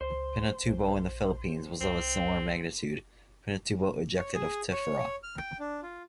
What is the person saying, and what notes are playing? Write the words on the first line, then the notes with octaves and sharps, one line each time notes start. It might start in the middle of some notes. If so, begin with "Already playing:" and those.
Pinatubo in the Philippines was of a similar magnitude; Pinatubo ejected of tephra.
C#2 C5
A#1
C2 C4
C#5
G#4
C#5
C#5
F6
G5
D4
F4